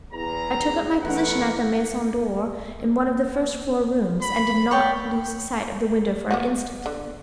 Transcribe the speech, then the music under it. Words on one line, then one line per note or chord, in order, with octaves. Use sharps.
I took up my position at the Maison-d'or, in one of the first-floor rooms, and did not lose sight of the window for an instant.
E2 A#5
E3 A3 B3 A#4 F#5
B5
C#5 D5 G5
A#3 B3 F#4
D3